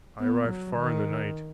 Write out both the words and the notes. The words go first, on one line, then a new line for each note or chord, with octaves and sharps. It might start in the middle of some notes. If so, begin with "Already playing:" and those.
I arrived far in the night.
B3
F#3
D#3